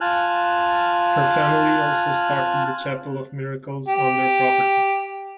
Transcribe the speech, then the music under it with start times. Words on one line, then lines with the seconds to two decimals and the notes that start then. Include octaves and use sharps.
Her family also started the Chapel of Miracles on their property.
0.01 F4 G#5 A5 F6 F#6
3.88 G4